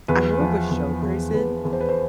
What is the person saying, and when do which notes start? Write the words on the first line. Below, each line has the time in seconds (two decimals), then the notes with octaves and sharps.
I'm more of a show person
0.08 E2 B4
0.40 F3
0.71 E2
1.02 E2
1.34 E2 B4
1.65 E2
1.73 C5
1.81 B4
1.89 C5